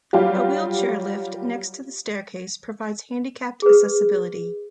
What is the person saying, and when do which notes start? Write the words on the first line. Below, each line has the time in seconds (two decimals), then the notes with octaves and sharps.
A wheelchair lift next to the staircase provides handicapped accessibility.
0.13 F#3 G3 F4 G4
3.62 G#4 B4